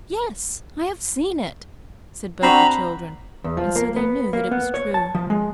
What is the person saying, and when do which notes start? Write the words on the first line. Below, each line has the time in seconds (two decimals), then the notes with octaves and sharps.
"Yes, I have seen it," said both the children; and so they knew that it was true.
2.43 C4 D4 F#4 A#5 B5
3.44 E2
3.57 F3
3.76 A#3
3.96 B3
4.33 A#3
4.51 B3
4.74 C#5
4.94 A5
5.15 F3
5.30 G#3